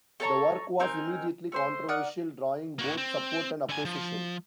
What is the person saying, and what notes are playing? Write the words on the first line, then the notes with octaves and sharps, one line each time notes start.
The work was immediately controversial, drawing both support and opposition.
A4 C#5 A5 A#5
C4 D#4 A#4 G#5
A3 C5 C6
A#4 D5 F#5 D#6
A#3 F#4
C4
D3 G#5
F3